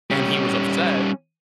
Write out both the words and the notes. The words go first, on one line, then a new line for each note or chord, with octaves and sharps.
and he was upset
G3 C#4